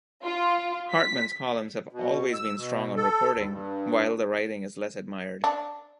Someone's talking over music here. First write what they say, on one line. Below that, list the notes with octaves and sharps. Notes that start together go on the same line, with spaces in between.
Hartman's columns have always been strong on reporting, while the writing is less admired.
F4
B6
B2
E6
B2
A4
D#2
G2
D4